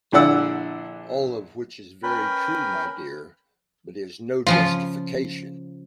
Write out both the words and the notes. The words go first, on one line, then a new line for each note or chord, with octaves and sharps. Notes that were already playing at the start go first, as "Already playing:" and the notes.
All of which is very true, my dear, but is no justification.
A#1 D3 E4 D5 F#5 E6
C#4 A#4 B4 G5 B5
C#3 F3 F4